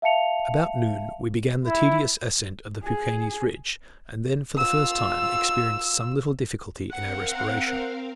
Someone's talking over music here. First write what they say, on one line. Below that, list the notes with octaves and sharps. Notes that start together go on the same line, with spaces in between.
About noon we began the tedious ascent of the Peuquenes ridge, and then for the first time experienced some little difficulty in our respiration.
E5 F5 A5 C#7 F7
E4
G#4
F4 E6
C4 A#4 F5 F#5